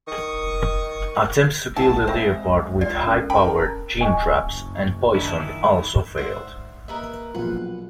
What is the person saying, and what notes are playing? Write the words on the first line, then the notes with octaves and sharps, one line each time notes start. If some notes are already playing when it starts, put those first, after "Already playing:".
Attempts to kill the leopard with high powered gin traps and poison also failed.
D#3 C#6 D#6
G#3 E4 F#5 A5
C4 C5 E5 B5
F4 D5
C#4 A4 A#4
A#4 G5 A5 B5
D#5 G#5 C#6
F#1
D#3 D4 E4
G#2 C5 D5 E5 F#5
A#3 A#4 B4 D#5 E5
A#1 B2 F#3 F4 G#4 B4 F#5